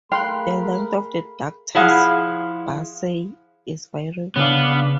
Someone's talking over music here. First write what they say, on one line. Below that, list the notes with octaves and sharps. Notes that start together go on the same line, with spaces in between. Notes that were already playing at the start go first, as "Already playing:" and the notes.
The length of the ductus bursae is variable.
A3 G#4 A#4 F5 G5 B5 C6 F#6
F3 E4 G#4 F5 F#5
C#3 B3 D4 F5